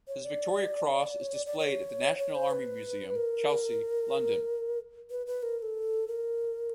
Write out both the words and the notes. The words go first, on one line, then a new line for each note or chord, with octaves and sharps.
His Victoria Cross is displayed at the National Army Museum, Chelsea, London.
C#5
D5
C#5
D5
D5
C#5
C#5
C5
B4
A#4
B4
B4
A#4
A#4
A4
A#4